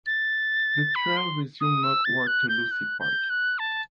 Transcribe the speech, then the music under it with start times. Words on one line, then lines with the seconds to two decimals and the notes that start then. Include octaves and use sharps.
The trail resumes northward to Lucy Park.
0.06 A6
0.95 B5
1.17 C6
1.61 D#6
1.83 E6
2.05 A6
2.27 F#6
2.49 G6
2.71 F#6
3.00 G6
3.30 F#6
3.59 A5